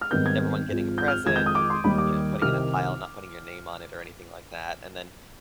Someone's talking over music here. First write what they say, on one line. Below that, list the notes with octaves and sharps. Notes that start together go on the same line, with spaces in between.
everyone getting a present and, you know, putting in a pile, not putting your name on it or anything like that, and then
F6
G#1 G#2 D#3 G3 B3 G6
G#6
G#1 G#2 F3
G6
F6
F2 D#3 G#3 G#6
G6
D#6
D6
C6
D#2 D#3 G3 B5
D6
C2 C3 D#3 F6